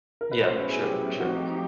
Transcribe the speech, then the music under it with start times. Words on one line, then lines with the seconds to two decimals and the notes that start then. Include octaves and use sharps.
Yeah, for sure, for sure.
0.21 A#4
0.32 B4
0.44 B2 F#3 A3 C#4 E4 C5
0.56 B4
0.69 G#4
0.82 G4
1.20 F3 A3 C4 D#4 F#4 G4